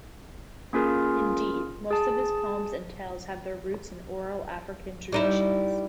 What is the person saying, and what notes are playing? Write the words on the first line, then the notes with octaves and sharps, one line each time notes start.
Indeed, most of his poems and tales have their roots in oral African traditions.
A#3 C#4 F4 G#4 A#4
G#4 A5
G3 D#4 E4